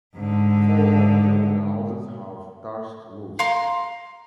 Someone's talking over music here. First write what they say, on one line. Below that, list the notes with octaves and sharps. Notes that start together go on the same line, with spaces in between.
Four of the older houses have thatched roofs.
G#2 D3
F5 A#5 C6